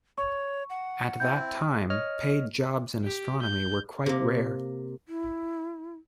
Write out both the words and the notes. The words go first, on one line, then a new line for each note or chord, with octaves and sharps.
At that time, paid jobs in astronomy were quite rare.
C#5 C#6
F#5
C4 E4 G6
C#5 D#5 F6
G4
G6
C3 A#3
E4